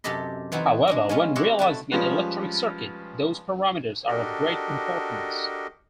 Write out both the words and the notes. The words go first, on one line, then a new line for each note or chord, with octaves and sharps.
However, when realizing an electronic circuit, those parameters are of great importance.
F#2 C3 G4 A4 D#5 B5
E3 B3 C4 D#4 F#4
G#3 D4 D#5
G#3 B3 C#4 F4
C4 E4 G4 C#5 D#5 F#5
A3 E4 F#4
F3 G3 G#3 C#4 F4 B4
D4 F#4 G4 A4 A#4 D#5